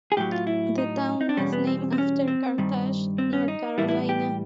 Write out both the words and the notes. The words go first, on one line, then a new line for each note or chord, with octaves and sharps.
The town was named after Carthage, North Carolina.
G#4
A2 F#3 G4
F4
E4
D#4
D#4
D4
E2 B2 G3 C#4
B3
C4
C4
C#4
C4
G2 D#3 G3
C4
C#4
D#4
A2 E3 G3 E4
E4
G4